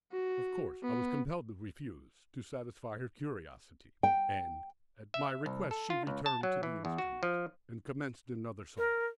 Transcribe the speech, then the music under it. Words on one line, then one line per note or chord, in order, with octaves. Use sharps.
Of course, I was compelled to refuse to satisfy her curiosity, and at my request she returned to the instrument and commenced another song.
F#4
B3
G5
E5
C2
A4
F4
C#2
A5
F#3
E3
E2
F#4
F3
A#4